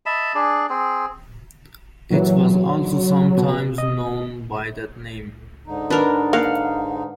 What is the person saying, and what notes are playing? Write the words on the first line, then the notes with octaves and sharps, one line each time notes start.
It was also sometimes known by that name.
D#5 E5 A5 B5
D4 G#4
C4 G#4
A#2 E3 F#3
B2
D#5
G#2 D3 D#4
D4 A#4 B4
A#3 F5 F#5